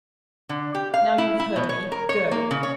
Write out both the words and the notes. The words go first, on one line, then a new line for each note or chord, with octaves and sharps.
Now you have heard me, go!
D3
G4
F5
E4
E4
B2
C#5
A#4
C#5
A#3
C#3
C#5